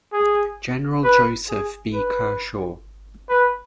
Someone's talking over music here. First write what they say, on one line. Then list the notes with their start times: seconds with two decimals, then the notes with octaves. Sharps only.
General Joseph B. Kershaw.
0.13 G#4
1.04 B4
1.49 G#4
1.94 B4
3.29 B4